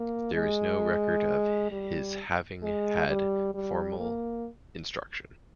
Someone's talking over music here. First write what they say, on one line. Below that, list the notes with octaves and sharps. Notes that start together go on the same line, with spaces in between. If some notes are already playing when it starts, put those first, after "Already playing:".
There is no record of his having had formal instruction.
Already playing: A#3
G#3
G3
G#3
G3
G3
A#3